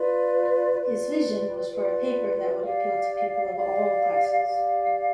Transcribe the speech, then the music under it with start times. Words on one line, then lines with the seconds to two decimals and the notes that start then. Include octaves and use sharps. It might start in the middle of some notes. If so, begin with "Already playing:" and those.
His vision was for a paper that would appeal to people of all classes.
Already playing: F4 B4 D5
0.80 F4 B4 D5
1.72 F4 B4 D5
2.63 G4 D5 F5
3.54 G4 D5 F5
4.45 G4 D5 F5